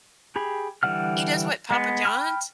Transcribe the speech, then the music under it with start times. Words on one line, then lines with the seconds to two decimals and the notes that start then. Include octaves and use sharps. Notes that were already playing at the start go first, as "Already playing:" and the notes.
He does what Papa John's?
0.36 G4 G#4 B5
0.83 D3 E3 G3 F#5 F6
1.71 G#3 B3
2.05 G5 B5 F6